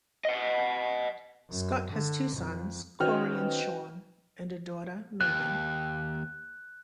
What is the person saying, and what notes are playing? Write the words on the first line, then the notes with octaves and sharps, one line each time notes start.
Scott has two sons, Corey and Shawn, and a daughter, Megan.
D#5 F#5
F#2
D3
F2
D#3 C#4 F#4 B4 C5 D#5 G5 F6
D#2 F#6